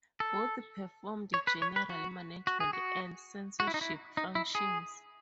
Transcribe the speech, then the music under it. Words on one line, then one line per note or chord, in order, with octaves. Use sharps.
Both performed general management and censorship functions.
A4
C#5
B4
C#5
B4
F#4
F#4
G#4
F#4
F#4
E4
D#4
E4
D#4
E4
G#4